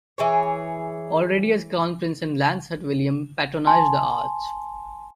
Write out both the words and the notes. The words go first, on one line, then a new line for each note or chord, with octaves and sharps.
Already as crown prince in Landshut William patronised the arts.
E3 G#4 C#5
G#5 A5 C6